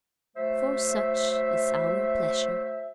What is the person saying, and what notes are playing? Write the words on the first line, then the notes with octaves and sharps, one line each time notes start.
"For such is our pleasure."
F#3 A3 C5 E5